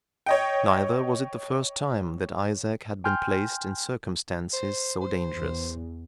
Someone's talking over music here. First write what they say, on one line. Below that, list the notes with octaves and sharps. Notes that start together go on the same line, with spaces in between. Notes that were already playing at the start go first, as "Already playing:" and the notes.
Neither was it the first time that Isaac had been placed in circumstances so dangerous.
C#5 D#5 G5
G5 G#5 C6 F6 G6
C5
C5
E2